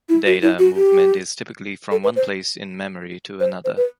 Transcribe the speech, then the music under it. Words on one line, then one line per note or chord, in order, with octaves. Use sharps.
Data movement is typically from one place in memory to another.
E4
F#4
E4
F#4
G4
A4
B4
C5
C5
C5
B4